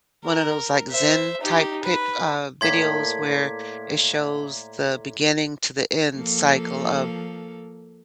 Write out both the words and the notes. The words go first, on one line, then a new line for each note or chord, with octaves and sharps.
one of those, like, zen-type pic uh, videos where it shows the beginning to the end cycle of
A#4
C5 E5
D#4 G4
B4
A2 A#3 D5 C6 G#6 B6
F3 A#3 A4